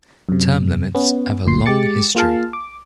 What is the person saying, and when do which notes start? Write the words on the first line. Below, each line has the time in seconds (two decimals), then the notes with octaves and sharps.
Term limits have a long history.
0.29 F#2 C3
0.95 B3 C#4
1.46 G1 D2 A#2 C6 C7
1.66 G#3 G4 D6 A6 C#7
2.15 A#3 F4 G#4 F5 A5
2.53 D6